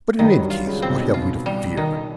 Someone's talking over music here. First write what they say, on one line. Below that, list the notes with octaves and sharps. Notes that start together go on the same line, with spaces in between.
But in any case what have we to fear?
G2 D#3 G3
F#3
G2 G3
F4
C#2 C#3
C4
B1 B2
F4
G3
D#3